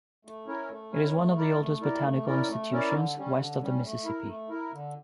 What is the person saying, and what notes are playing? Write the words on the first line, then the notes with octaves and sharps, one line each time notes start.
It is one of the oldest botanical institutions west of the Mississippi.
A3
C#4 E4 A#4 C#5
A3
C#4 E4 A#4 C#5
A3
E4 A#4 D5
A3
E4 A#4 D5
A3
C#4 E4 A#4 D5
A3
C#4 E4 A#4 D5
D3
G3 C#4
D3
G3 C#4
A3
E4 A#4
A3
E4 A#4
D3